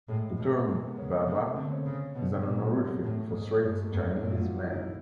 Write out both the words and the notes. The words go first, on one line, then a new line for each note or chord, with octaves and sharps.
The term "Baba" is an honorific for Straits Chinese men.
A2 G#3
B2
C3 G#3
A#3
B3
C#3 C#4
C4
C3 B3
A#3
A3
D3 C4
C#4
C#3
B2 B3
A#2 A#3
F#3
G3
G#3
A2 A3
G#2
G2 G#3
A3
A#3
F2 B3
C#4
D4
F#2 E4
F4
F#4
E4
D#4
E4